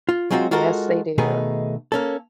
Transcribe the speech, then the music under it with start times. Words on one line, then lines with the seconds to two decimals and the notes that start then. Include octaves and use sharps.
Yes, they do.
0.09 F4
0.31 F#3 G#3 C4 F4 F#4
0.51 G#3 F4 F#4 A4 A#4
1.18 B2 D#3 A3 B3 D#4 G#4
1.92 A#3 C#4 A4